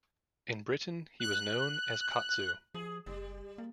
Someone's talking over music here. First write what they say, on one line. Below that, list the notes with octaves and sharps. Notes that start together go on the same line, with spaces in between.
In Britain he was known as "Katsu".
F#6
F3 G#4
F#1 G3
A#3